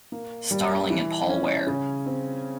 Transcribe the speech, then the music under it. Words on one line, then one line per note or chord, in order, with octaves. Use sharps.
Starling and Paul Ware.
A#3
G3
E3
C#4
C#3
C4